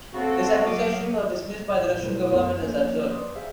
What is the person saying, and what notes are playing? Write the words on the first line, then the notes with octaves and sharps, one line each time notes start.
This accusation was dismissed by the Russian government as "absurd".
C#3 C4 F#4 A4
F#3 F5 D6 D#6
A1
B1 A3 E4 B4 C5
F#2 F3 A3 B3 A#4 C6
F3 A#3 C#4 C#5
B4 D5 C6 D#6
G4 G#4 C5 E5 F5